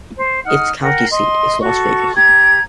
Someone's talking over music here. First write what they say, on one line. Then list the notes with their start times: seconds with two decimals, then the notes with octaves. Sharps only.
Its county seat is Las Vegas.
0.16 C5
0.45 D#4 F#5 F6
0.81 A#4 F#5 G5
1.10 D#5 C6
1.61 F#4 A4 C#6
2.15 G4 A#5 G#6